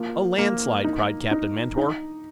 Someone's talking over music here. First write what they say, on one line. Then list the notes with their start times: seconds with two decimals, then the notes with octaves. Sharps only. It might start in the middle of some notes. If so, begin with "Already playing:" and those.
"A landslide!" cried Captain Mentor.
Already playing: F3 A#3
0.38 A#3
0.84 D#4
1.31 D#4
1.77 D#4